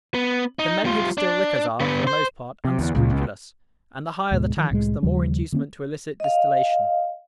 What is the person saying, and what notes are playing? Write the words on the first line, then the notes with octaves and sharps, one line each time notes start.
The men who distil liquors are, for the most part, unscrupulous; and the higher the tax, the more inducement to illicit distillation.
B3
D#4
G3 F4
D4
D3 B3
C5
C3
E2 D3
C#2 A#2 C#4
B3 C#4
D2 G#2 B2 G#3
D#3 F3
C2 A2 F#3 G#3
D#2 C#3 F3 G3
D3 A#3 C4 C#4
D#5 F5